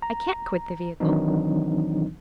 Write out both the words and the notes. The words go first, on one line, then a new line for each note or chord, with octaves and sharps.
"I can't quit the vehicle."
A#5
D#3 E3 F#3 C4 D4 D#4